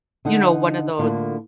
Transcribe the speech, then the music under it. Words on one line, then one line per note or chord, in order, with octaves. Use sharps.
you know, one of those,
D3 D#4 F#5
A2 D3 A#3 F4